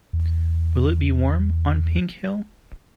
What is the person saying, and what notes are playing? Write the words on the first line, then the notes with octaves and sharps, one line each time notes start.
Will it be warm on Pink Hill?
E2